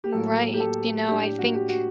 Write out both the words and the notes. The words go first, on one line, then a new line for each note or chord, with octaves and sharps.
Mm, right, you know, I think
G4
A2 F#3 A#3 A4
G4
A4
A2 G3 D4 G4
G4
F#4
G4
F#4